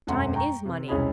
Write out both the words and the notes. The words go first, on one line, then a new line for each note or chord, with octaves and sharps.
Time IS money!
E1 F#2 A3 F#5 C6
G5 A#5 C#6
C3
E1 C2 C#4 G#4 D#5 B5